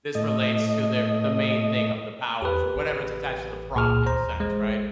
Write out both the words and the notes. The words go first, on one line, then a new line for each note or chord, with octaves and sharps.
this relates to the the main thing of the powers or whatever it's attached to the prop in a sense, right?
A2 D#5
E2 G4 B4
A1
C#2 A#2 G#4 F6
A1 D#2 C5 A#5
G#3 C5